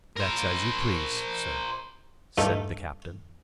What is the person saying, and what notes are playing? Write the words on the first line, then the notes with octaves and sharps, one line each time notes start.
"That's as you please, sir," said the captain.
A#4 C5
G2 A3 D#4 A4